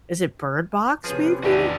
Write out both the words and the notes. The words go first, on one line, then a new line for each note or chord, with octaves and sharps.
Is it Bird Box maybe?
C3 F3 C#4 G#4 B4
E2 A2 D4 D#4 F#4 G4 D5